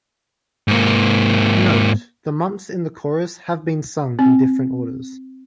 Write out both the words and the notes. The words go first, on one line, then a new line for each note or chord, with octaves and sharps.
Note: The months in the chorus have been sung in different orders.
G#2 A#3
C4